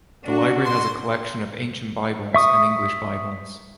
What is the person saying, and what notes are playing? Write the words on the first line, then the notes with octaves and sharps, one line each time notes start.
The library has a collection of ancient Bibles and English Bibles.
D4 F#4
C6
E5 C#6 D#6